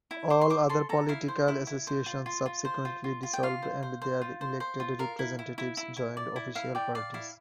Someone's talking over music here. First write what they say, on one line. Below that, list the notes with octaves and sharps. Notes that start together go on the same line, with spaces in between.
All other political associations subsequently dissolved and their elected representatives joined official parties.
E4
C5 D6
C6
C5 D6
A4 C6
A4 A#5
E4 F5
C5
E4
E4
C5
F4
F4
F4
C5
F4
F4
F4
G5
F4 F5
C5
C5
C5
F4
C5
C5
F4
A#4 F5
E4
E4
E4
E4
E4
D5
E4
E4 F5
D5 G5
D5 F5
E4 F5